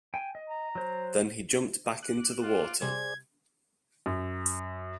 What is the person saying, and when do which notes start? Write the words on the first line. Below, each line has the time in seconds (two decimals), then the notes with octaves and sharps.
Then he jumped back into the water.
0.14 G5 G#5
0.35 D#5
0.49 A#5
0.75 F#3 C5
2.03 D6 F#6
2.42 F4
2.82 C3 G3 G#4 C5 D5 G#6
4.06 F#2